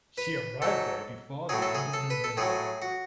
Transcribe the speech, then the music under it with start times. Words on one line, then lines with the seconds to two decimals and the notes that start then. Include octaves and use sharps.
She arrived there before the end of November.
0.18 B4
0.62 G#2 F#3 A4
1.49 A2 F#3 G#4
1.62 A4
1.75 G#4
1.93 A4
2.10 B4
2.24 A4
2.37 A2 F#3 G#4
2.82 F#4